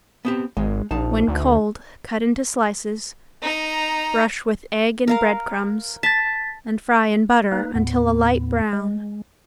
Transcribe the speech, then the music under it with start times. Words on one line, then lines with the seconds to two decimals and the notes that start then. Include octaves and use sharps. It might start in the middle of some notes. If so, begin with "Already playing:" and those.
When cold cut into slices, brush with egg and bread crumbs and fry in butter until a light brown.
0.25 B3 C4 G4
0.57 G#1 G#3
0.91 A#1 D#4 A5
1.28 D2
3.42 D#4 A#5
5.08 A#4 F5 A#5
6.03 A5 A6 B6
7.52 A#3 D#4 B4
7.75 D#2 A2 B3
8.73 G#3